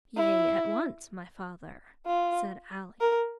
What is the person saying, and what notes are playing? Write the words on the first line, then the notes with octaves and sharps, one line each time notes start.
"Yea, at once, my father," said Ali.
E4
F4
A#4